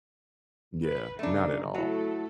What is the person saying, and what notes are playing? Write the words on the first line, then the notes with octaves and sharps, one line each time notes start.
Yeah, not at all.
B4
C#3 F#3 A3 D4 D#4
F#3 A3 E4 F#4 A4